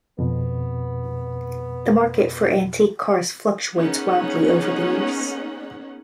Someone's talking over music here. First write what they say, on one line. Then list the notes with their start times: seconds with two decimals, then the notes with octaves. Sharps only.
The market for antique cars fluctuates wildly over the years.
0.19 F2 B2 B3
3.75 A#3 B3 C#4 D#4 G#4 F#5